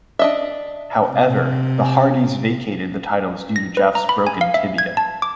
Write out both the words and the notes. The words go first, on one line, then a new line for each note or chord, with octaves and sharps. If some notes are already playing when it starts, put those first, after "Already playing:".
However, The Hardys vacated the titles due to Jeff's broken tibia.
D4 D#5 E5
C3
A#6
B4
A#5
B5
G#5
F5
E5
G#6
A5
D6